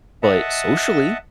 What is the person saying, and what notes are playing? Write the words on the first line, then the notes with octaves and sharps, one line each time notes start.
but socially,
D#5 E5 F#5 A5